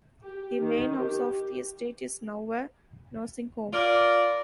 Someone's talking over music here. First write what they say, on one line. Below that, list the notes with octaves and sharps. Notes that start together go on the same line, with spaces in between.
The main house of the estate is now a nursing home.
G4
D#3
G4
F4 A#4 D5